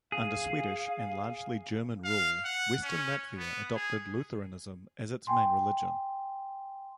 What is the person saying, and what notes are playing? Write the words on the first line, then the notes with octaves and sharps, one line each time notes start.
Under Swedish and largely German rule, western Latvia adopted Lutheranism as its main religion.
G#4 F5
F5
F#5
C#4
B3
G#4
G5 G#5 C6